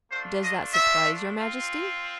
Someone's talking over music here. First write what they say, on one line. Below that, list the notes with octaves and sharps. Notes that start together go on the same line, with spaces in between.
"Does that surprise your Majesty?"
A3 D4 F4 C5
D#5
E5
C4 F4